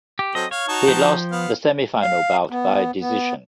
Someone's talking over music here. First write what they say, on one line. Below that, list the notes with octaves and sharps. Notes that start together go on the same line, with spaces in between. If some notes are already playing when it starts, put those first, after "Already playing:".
He lost the semifinal bout by decision.
G4
F#3 C4 A4 D#5
C#5 F5
D#4 F#4 A5
F3 G5
B3 F5
F5
B3
B3